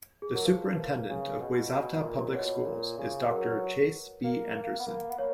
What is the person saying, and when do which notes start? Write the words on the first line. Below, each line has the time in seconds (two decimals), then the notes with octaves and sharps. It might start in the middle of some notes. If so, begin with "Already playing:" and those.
The superintendent of Wayzata Public Schools is Doctor Chace B. Anderson.
0.22 G#4
0.33 F#3 A#4
0.45 F3 B4
0.76 A#3
1.09 C#3
1.39 B2
1.71 B2
2.03 A#2
2.34 B2 C#5
2.66 A#2
2.98 C#3
3.22 B4
3.29 F#3 A#4
4.24 A#3
4.56 A#3
4.79 B3
4.87 A#3
5.10 B3
5.18 A#3 C#5